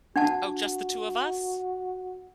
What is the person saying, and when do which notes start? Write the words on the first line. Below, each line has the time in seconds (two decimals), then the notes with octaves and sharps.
Oh, "Just the two of us?"
0.16 D4 F#4 F#5 A5